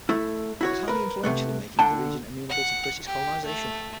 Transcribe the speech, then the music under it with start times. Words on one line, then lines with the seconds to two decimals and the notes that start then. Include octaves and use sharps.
It was highly influential in making the region amenable to British colonization.
0.09 A3 E4
0.61 E4 F#4 C#5
0.88 A#4 B4
1.23 C3 A3 B3
1.79 D3 F#5 G5 A5
2.49 F#5
3.06 G4
3.45 A3